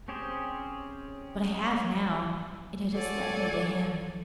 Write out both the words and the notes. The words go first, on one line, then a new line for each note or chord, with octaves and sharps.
But I have now, and it has led me to Him.
C4 C#4 G4 G#4 C5
A4 C#5 D5 F#5 G#5